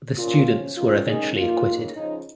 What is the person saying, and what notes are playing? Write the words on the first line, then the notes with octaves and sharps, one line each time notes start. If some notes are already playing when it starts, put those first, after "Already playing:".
The students were eventually acquitted.
A#2 F3 A#3 C#4 F4
F3 C#4
D#3 G#3 C#4 F4
D#3 G#3 C#4 D#4 G#4
A#2 A#3 D#4 F4
C#3 A#3 D#4
C#3 F3 C#4 D#4